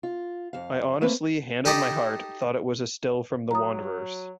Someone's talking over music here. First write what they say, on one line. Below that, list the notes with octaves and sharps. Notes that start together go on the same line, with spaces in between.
I honestly, hand on my heart, thought it was a still from "The Wanderers".
F4
F2 F5
A3 A#3 C4 B4
D#4 G4 A4 D#5 B5
F#3 A#5 D#6